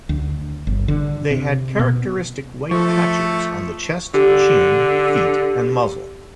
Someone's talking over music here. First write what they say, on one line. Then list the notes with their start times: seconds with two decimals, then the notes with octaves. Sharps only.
They had characteristic white patches on the chest, chin, feet, and muzzle.
0.09 D2
0.67 G1
0.88 D3
1.31 C3
1.79 B2
2.71 F3 A3 A4 C#6
4.14 D3 G4